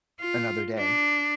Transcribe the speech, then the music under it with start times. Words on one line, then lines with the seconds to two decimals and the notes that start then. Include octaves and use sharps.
another day
0.21 F4
0.77 D4